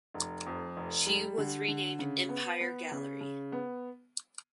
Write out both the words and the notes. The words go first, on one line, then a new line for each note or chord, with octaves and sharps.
She was renamed "Empire Gallery".
F1
F2
F1
G3
D3
D3
C#3
B3
B3
C#3
C#3
B3